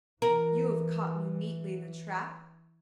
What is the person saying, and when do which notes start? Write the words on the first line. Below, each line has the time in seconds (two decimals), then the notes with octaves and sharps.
You have caught me neatly in a trap!
0.22 E3 A#4